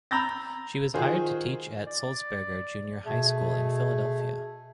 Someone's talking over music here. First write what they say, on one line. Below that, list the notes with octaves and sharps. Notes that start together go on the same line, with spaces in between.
She was hired to teach at Sulzberger Junior High School in Philadelphia.
A#5 B5 E6 G6 A6 A#6
D#3 F4 F#4 G#4 C5
D5
B2 A3 G#4